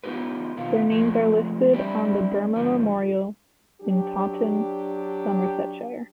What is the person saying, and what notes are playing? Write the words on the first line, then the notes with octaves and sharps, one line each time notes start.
Their names are listed on the Burma Memorial in Taunton, Somersetshire.
B3 D#4 F4 G4 B4
B2 D#3 F4
F3 G#3 A3
G3 C4 D4 E4 G4
G#2 B2 D3 F3
F#3 D4 G4